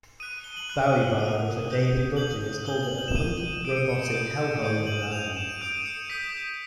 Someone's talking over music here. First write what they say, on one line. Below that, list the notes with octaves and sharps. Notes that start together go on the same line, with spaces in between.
Bowie biographer David Buckley has called it "a funky, robotic Hellhole of an album".
D#6 F#6 D#7
D#7
G7
F#7
D#6 F#6
D#6 F#6
D#6 G6
D#6 G6 F#7
D#6 G6 G7
F#7
F#7
E7
D#6 G6 D#7
D#6 G6 D7
C#7
C#7
D7
D#6 G6
D#6 G6 D#7
F#7
E7
D#6 G6 F7
F7
E7
D#7
D#6 G6 D7
C#7
D#6 G6 B6